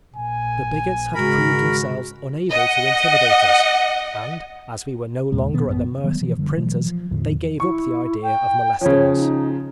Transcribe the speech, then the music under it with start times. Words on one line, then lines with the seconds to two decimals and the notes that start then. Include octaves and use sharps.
The bigots had proved themselves unable to intimidate us, and as we were no longer at the mercy of printers they gave up the idea of molesting us.
0.16 A#1 G#5
1.15 G#1 C#3 G#3 F#4 A#4 B5
2.50 D#5 F#5
5.32 D#2 A#2 G#3
5.53 B2 D#3 F#3 B3
5.68 A1 F#2 B3
6.04 D#3 F#3 G3 B3
6.21 B2 E3 F3
6.37 F#1 D3 G3
6.57 B2 E3 F#3 A3
6.86 F3
7.11 E2 A2 D3 F3
7.60 E4 C#6
8.22 G5
8.81 C#3 F3 C#5
9.15 D#4